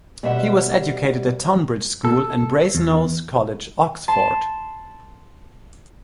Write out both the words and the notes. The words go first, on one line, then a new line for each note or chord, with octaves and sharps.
He was educated at Tonbridge School and Brasenose College, Oxford.
B2 G3 C5 E5 F#5
A4
E2
A5 C6